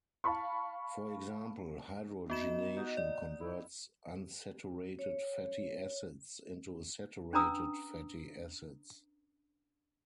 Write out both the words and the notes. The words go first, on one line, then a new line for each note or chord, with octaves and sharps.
For example, hydrogenation converts unsaturated fatty acids into saturated fatty acids.
F5 A5 B5 C#6
B3 D#4 F#4 E7
D#4 F#5
D5
E4
C#5
C#4 D4 B4 A#5 D#6 E6